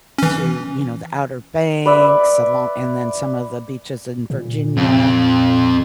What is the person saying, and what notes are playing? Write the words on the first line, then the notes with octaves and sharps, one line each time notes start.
to, you know, the Outer Banks alon and then some of the beaches in Virginia
E3 C#4
B4 D5 E5
A#2
F2